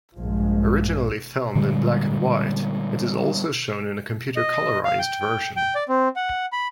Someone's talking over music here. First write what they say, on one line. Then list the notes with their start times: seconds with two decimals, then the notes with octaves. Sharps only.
Originally filmed in black-and-white, it is also shown in a computer-colorized version.
0.17 A#1 G2 F3 G#3
1.55 A#2 D3 G3 G#3
4.36 D#5
4.84 F5
4.99 G5
5.20 G5
5.56 G5
5.75 D5
5.89 C4
6.16 F#5
6.52 B5